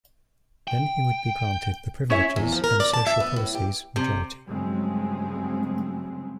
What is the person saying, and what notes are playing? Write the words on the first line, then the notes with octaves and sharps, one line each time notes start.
Then he would be granted the privileges and social policies majority.
G5
C#4 E4 C#5 E5
E2
F3
A#4
D5
A5
E5
B3
A2
G4
C3
G2 C#3 F#3 G#3 A3 C4